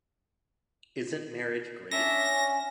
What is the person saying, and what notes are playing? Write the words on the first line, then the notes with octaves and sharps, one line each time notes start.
Isn't marriage great?
C#4 D4 E5 A#6
G#5